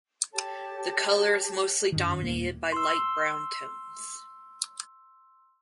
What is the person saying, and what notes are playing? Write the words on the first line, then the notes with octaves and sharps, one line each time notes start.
The color is mostly dominated by light brown tones.
G4 A4 C#5 A5
F#2 D#3
D#1 A#3
C6 E6